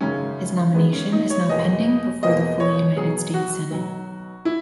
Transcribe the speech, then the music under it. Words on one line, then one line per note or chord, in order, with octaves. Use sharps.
His nomination is now pending before the full United States Senate.
G#1 F#2 C#3 G#3 C#4
G#1 F#2 C#3 G#3 B3
C#4
D#4
C#5
E2 B2 A#3 D#5
E2 B2 A#3 D#5
C#5
B1 B2 F#3 G#4
F#4
B1 B2 F#3
E4